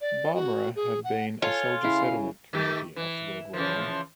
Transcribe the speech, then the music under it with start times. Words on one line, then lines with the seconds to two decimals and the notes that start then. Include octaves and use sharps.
Barmera had been a soldier settlement community after World War One.
0.01 D5
0.34 F#4
0.76 G#4
1.04 F#5
1.42 F4 A4 C#5 G#5
1.83 C#3 E4 F5
2.53 D#3 A3 G4
2.96 E3
3.53 C#3 E3 F3